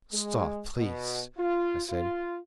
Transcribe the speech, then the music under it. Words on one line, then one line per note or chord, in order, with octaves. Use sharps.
"Stop, please," I said.
G#3
B2
F4
F4